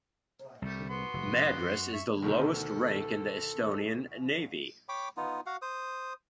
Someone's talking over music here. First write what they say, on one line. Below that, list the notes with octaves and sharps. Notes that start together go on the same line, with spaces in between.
Madrus is the lowest rank in the Estonian Navy.
C2 G3 A3
B3 F#4 C6
F1
F#2
E5 C#6
D2 B2 D#3 A4
C#5 G5 B5 D6
B3 D#4 F4
F#4 F5 F#5
C5 D#6